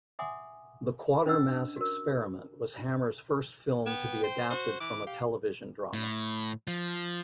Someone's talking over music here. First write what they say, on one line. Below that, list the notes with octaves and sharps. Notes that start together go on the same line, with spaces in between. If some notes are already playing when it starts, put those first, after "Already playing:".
"The Quatermass Xperiment" was Hammer's first film to be adapted from a television drama.
E5 F#5 G#5 C6 D6 D#6
C#4 D4 C5 D#5 F#5 E6
F#4 A#4
B3 G5
C5
F#4 C5
E3 D6
G4 F5
A2
F3